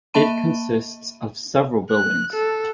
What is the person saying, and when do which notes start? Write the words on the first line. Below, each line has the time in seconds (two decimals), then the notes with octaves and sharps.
It consists of several buildings.
0.14 A#3 E5 A5 B5 D#7
1.90 F#6
2.33 A4